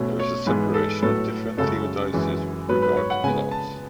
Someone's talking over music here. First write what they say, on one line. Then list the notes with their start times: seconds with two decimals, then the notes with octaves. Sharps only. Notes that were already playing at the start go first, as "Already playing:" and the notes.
There is a separation of different theodicies with regard to class.
Already playing: B2 A3 C#4
0.20 C#5
0.46 G#2 E3 G#3 B3 B4
0.74 A4
1.02 A2 F#3 B3 A4
1.58 F#2 C#3 G#3 A4
2.13 F#2 E3 G#3
2.68 G#2 F#3 B3 B4
2.82 B4
2.97 C#5
3.10 F#5
3.24 C#3 G#3 B3 G#5
3.51 A5